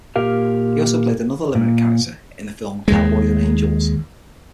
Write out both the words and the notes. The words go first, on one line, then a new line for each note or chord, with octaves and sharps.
He also played another Limerick character in the film "Cowboys and Angels".
A#2 G4 A#4 F5
A#2
D#2 G#3